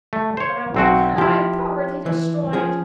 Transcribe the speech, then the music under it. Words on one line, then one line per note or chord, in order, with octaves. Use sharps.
"But I won't have my property destroyed."
A3
C5 C#5
B1 C4 F#4
F3 E4 G4
E3
F3 C#4 G#4